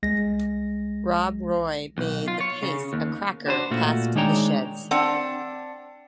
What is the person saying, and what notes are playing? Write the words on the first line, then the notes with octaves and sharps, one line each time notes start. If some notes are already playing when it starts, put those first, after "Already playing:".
Rob Roy made the pace a cracker past the sheds.
C2 G#3 A#6
B1
F4
C#5
C#3
D#2
D4 F#4 B4 C5
A#2 A3 F4 F#4
D#3 G#3 D4 C#5 G5 A#5
C4 D4 F#5